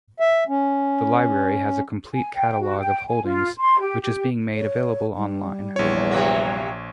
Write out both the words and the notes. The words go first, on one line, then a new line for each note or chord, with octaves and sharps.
The library has a complete catalogue of holdings, which is being made available online.
E5
C#4
G#5
G5
F#4
G5
G#5
F4
C6
G4
G4
C#5
G3
A#1 E2 C#5
C3 F#3 A#3